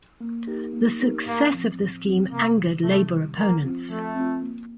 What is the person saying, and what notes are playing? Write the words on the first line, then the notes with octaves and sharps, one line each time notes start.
The success of the scheme angered Labour opponents.
A#3
D#4 G4 A#4
A#3
D#4 G4 A#4
A2 A#3
F3 C4
A2
F3 C4
C3 A#3
D#3 G3
C3 A3
D#3 G3
F3 A#3
C4 F4
F3 A3
C4
F4
A#3